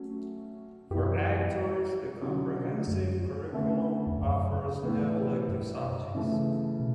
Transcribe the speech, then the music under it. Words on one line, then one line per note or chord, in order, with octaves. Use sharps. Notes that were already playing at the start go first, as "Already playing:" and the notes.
For actors, the comprehensive curriculum offers no elective subjects.
Already playing: F#3 A3 C#4
F#2 E3 B3 E4 G4
D3 F#3 C#4
F#2
D3 A3 C#4
E2
F#2
A2 E3 B3 E4
G2
C#3 E3 A3
B2